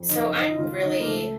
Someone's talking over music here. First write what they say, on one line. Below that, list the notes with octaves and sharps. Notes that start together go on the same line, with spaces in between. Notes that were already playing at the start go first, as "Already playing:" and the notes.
So, I'm really
Already playing: F2
F#1 D#4
D#3 D#4
C#2 F4
C#2 D#4
A#3
C#2 A3